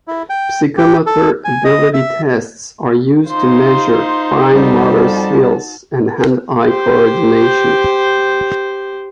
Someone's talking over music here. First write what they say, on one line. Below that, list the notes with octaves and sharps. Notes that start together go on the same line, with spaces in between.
Psychomotor-ability tests are used to measure fine motor skills and hand-eye coordination.
E4
G5
G4
A4
G#5
D#5
E5
D#4 F4 C5 C6
F2 G3 F#4 A5
G4 C5